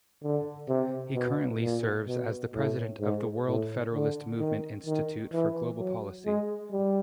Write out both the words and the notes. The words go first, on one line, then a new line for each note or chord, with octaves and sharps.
He currently serves as the President of the World Federalist Movement-Institute for Global Policy.
D3
C3
B2
A#2
B2
A2
G#2
A2
D3
D#3
D#3
E3
F#3
G#3
G3